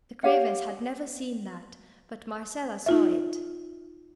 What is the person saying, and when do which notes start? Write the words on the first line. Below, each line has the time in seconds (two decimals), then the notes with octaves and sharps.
The Cravens had never seen that, but Marcella saw it.
0.23 G4 C#5 F5 F#5
2.86 D#4 F4 E5